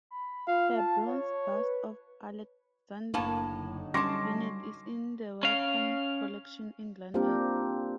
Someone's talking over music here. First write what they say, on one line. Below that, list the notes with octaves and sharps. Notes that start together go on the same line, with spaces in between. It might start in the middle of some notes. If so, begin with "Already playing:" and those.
Her bronze bust of Alexandre Vinet is in the Wellcome Collection in London.
B5
F4 F5
A5
C#5
B4
F#1 A2 A#3 D4 A5
D3 F#3 D#4
G3 C#4 A5 C6 D6 A#6
C#4 F5
A#3 C4 D4 F4 G4 A#4